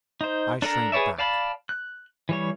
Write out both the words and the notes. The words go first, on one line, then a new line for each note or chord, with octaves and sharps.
I shrank back.
D#4 C5
D4 A4 A#4 A#5
G#4 B4 C#5 D5 E5
D5 F5 A5 B5
F#6
E3 G3 C#5